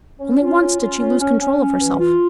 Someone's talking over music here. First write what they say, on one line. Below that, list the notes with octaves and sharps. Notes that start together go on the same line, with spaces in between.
Only once did she lose control of herself.
C#4
F4
C#4
F4
C#4
C#4
C#4
C#4
E3
F4